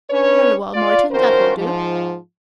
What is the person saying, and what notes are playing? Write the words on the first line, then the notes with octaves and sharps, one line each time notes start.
"Very well, Morton, that will do."
C#4 D4 B4 C#5
F4 D5
D#3 F3 C#4 F#4 A#4 C5
G#2 F3